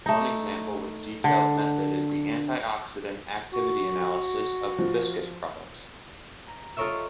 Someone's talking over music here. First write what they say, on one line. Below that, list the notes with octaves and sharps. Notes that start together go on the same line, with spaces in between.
One example with detailed method is the antioxidant activity analysis of Hibiscus products.
A3 D#4
D3
F#4
F3
A#5
F4 A4 A#4 C#5 D#5 E5